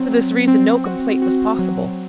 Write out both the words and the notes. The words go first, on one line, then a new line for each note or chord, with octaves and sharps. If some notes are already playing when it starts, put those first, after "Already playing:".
For this reason no complaint was possible.
Already playing: F#3 C4
F#3
C4
F#4
F#4
F#3